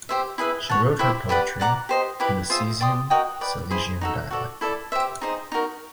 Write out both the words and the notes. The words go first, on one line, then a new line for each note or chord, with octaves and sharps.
She wrote her poetry in the Cieszyn Silesian dialect.
G4 C5 E5
E4 G#4 B4 E5
C#5 F#5 A5
E4 G4 C5 E5
G4 B4 D5 F#5
D5 F#5 A#5 D6
G4 C5 D#5
E4 G4 B4
F4 G#4 C5 E5
D5 G5 C6 D#6
F#4 A#4 D#5 G5
B4 D5 G5
E4 G#4 C5
D#4 F#4 A4
F#4 A4 D5
E4 A4 D5
G4 C5 E5
D#4 G#4 C5 D#5
D#4 F#4 A#4